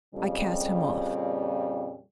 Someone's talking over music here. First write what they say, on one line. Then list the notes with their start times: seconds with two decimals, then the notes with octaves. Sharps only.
I cast him off.
0.15 F2 A#2 C#3 G3